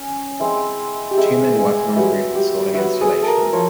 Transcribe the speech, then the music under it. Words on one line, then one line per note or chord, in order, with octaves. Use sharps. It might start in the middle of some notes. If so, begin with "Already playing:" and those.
Two men working on a roof installing insulation.
Already playing: C#4
G#3 C4 E4
G4
G#3 C4 E4 G#4
G#4
F#3 B3 E4 G4
G4
F#3 B3 E4 F#4
G#4
A4 A#4
F3 A#3 C#5